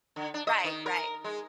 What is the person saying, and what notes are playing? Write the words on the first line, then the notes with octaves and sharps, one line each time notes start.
Right, right.
D3
D4
D#5
D#3
A#4
G#3